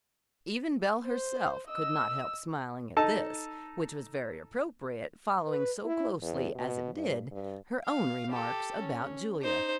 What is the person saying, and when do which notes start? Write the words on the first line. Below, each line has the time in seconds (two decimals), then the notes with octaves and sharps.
Even Belle herself could not help smiling at this, which was very appropriate, following so closely, as it did, her own remarks about Julia.
1.04 C5
1.68 D#5 E6
2.97 D#4 A4 A5
5.47 B4
5.85 E4
6.22 E2
6.55 B2
6.94 G2
7.31 G2
7.86 F5
8.29 G4 A4
8.79 C#4
9.42 D#4 C5